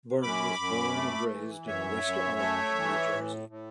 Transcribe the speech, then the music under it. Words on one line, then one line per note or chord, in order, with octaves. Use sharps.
Byrne was born and raised in West Orange, New Jersey.
F#2 B5 D6
F#2
A3
E3
F#2 C#5 E5
F#2
A3
E3
A2
A2